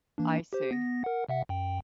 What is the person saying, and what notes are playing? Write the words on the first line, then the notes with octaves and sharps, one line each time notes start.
I see.
E3 A#3 D4
G4 C5
B3 A#6
A#4 F#5
C3 E5 F#5
F#2 G5